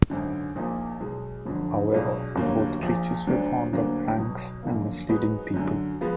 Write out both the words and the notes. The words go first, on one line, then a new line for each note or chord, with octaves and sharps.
However, both creatures were fond of pranks and misleading people.
G#1 F#2 D3
A#1 A#2 F3 A#3 D#4
B1 B2 G#3
F1 F2 D3 F#3
B1 B2 G#3 D4 F4
F1 D#2 D3 F#3 A#3
A#1 A#2 F3
D2 D3 F#3 D4
D2 D3 F#3 A#3
B1 B2 F#3
F#2 D3 F3 A#3
G#2 F#3 B3 D#4 F#4
F#2 D3 F#3
F3 G#3 B3